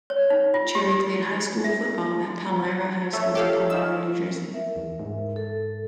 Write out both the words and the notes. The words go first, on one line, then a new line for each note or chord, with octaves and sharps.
Cherry played high school football at Palmyra High School in Palmyra, New Jersey.
C#5
D#4
F4
G4
E5
A3 C#5 E5
G4 A4 F5
D#4 F5 G#5 E6
A#4 E5
E2
G#2
A4